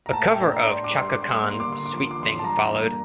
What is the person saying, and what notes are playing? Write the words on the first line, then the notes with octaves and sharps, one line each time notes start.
A cover of Chaka Khan's "Sweet Thing" followed.
A#5
A2 A5
G5
D4
A#5
D4
C6
D6
G3
C6
D6
G3
C6
D6
A#3
C6
D6
D3 C6
D6
F3 C6
D6
E2 C6
A5
G2 A#5
A#3